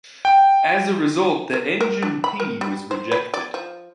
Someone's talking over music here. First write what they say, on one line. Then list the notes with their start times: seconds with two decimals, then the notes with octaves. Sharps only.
As a result the "Engin P" was rejected.
0.25 G5
1.53 A#4
1.81 A#4
2.03 D4
2.24 B5
2.40 A#4
2.61 G3
2.91 C5
3.11 B4
3.34 D5
3.54 F3